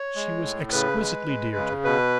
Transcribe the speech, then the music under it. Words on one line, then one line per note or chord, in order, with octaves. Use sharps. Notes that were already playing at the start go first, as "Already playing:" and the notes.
She was exquisitely dear to him.
Already playing: C#5
G#3
A2
C#3 B4
G#3
G#3
C#3
B2 B4